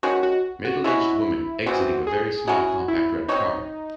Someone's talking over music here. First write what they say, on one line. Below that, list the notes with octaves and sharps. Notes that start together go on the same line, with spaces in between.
Middleaged woman exiting a very small compact red car.
D#3 G#3 C#4 F#4
F#4
F#4
G#3 C#4 E4 F#4
C#3 E3 C4 F#4
G#4
F#3 C#4 E4 F#4 G#4
E4
C4 D#4 F#4 C#5